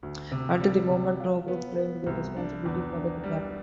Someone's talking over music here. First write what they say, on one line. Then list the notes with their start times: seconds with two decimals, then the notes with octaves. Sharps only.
Until the moment, no group claimed their responsibility for the kidnapping.
0.03 D2
0.32 C3
0.60 G3
0.90 C3
1.20 F4
1.48 B3
1.78 B3
2.06 C2
2.36 D4
2.66 E2
2.95 D4
3.24 G3